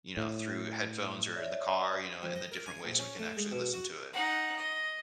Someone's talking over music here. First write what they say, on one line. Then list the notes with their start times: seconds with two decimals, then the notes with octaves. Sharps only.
you know, through headphones or in the car, you know, and the different ways we can actually listen to it.
0.17 A2
1.36 C#5 D5 E5
2.23 F2
2.35 D#5
2.52 A#4
2.66 G#5
2.84 A#1
2.99 C#4
3.19 A3
3.37 G#3
3.51 B2
3.73 F#4
4.13 D#4 F#5
4.56 D#5